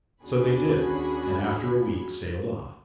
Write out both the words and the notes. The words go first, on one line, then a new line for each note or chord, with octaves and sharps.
So they did, and after a week sailed off.
D#2 C#4 D4 F#4 G#4 B5